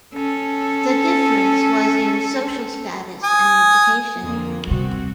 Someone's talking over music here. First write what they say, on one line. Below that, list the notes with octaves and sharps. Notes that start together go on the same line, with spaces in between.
The difference was in social status and education.
C#4 A4
G#5 D#6
F2 D3 A#3
E2 C3 G3 C4 F#4